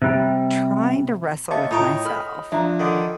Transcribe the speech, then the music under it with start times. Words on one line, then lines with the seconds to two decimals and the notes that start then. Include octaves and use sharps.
trying to wrestle with myself
0.02 C3 G3
1.51 D#2 D#5 E5 A5 C#6
1.71 A2 D#4 F4 C#5 G5 A#5
2.05 A4 B5 F6
2.52 F3 D4 E5 A#5
2.79 D3 D#3